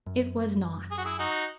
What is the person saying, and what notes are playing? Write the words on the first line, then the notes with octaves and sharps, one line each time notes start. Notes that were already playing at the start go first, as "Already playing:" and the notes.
'It was not.
F#2
G#4
F#4
E4 G#4
D#4 F#4